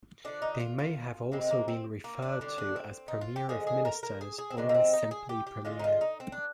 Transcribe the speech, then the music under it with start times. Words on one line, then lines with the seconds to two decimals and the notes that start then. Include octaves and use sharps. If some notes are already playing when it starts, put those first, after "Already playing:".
They may have also been referred to as Premier of Ministers, or simply premier.
0.25 D3 F3 G#3 D4
0.42 D#4
0.60 F4
0.79 F4
1.32 C3 D#3 G#3 C4
1.51 A#3
1.68 C4
2.04 A#3
2.22 D4
2.41 D3 G3 D4
2.58 D4
2.76 C4
3.08 D#4
3.21 F4
3.36 G4
3.49 D3 F3 G#3 G#4
3.67 G#4
3.85 A#4
4.03 A#4
4.21 G#4
4.38 G#4
4.50 C4
4.57 C3 D#3 G#3 D4
4.69 A#3
4.74 C4
4.93 D#4
5.11 G#4
5.29 G4
5.47 G4
5.65 D3 G#3 F4
5.79 D#4
5.84 F4
6.01 D#4
6.20 C4
6.32 D4